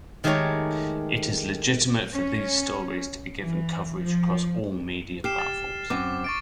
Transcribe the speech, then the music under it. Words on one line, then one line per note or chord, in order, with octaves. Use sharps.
It is legitimate for these stories to be given coverage across all media platforms.
D#3 G#3 A3 G4 C#5 A#5
C#4
E3
F3
G4 F6 C7 E7
A6 E7
F#2 C4 D6
C#6 A6 D7